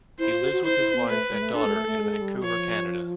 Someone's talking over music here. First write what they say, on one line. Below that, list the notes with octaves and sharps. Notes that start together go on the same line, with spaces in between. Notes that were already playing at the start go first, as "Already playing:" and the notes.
He lives with his wife and daughter in Vancouver, Canada.
E4 C5
F4
F#4
F#4
E4 C5
E4
B3
A3 B4
G#3
A3
D4 A4
G#3
A3
A3
G#3
G3
F3 C#5